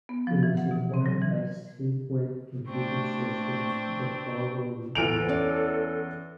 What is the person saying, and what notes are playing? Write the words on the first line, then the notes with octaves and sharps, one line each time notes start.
It was acquired by Sequent Computer Systems the following year.
B3
F3
E3
F#5
B2
C4
F#3
E3
A3 C4 D4 C#6
E2 A4 D7 F7
C#4 D5